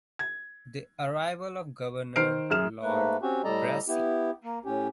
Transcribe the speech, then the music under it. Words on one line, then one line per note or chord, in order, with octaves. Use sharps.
The arrival of the Governor Lord Brassey.
G#6
D#3 C5 F6 C7 D7
F#2 G#4 F6 E7
G#2 A3 A#3 B4
C4 C#4 F#4 G4
A2 G3 A4 D5 D#5 A#5
B3 E4 G4
A#3
A2 C#4 G4